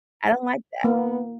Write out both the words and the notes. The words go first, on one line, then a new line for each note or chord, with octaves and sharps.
I don't like that.
A#3 B3